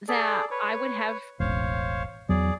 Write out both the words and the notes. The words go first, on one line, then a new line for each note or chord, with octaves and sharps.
that I would have
G#4 A4 D5
B4 C#5
E1 A1 C5 C#5 F5
E2 F#3 G#4 D5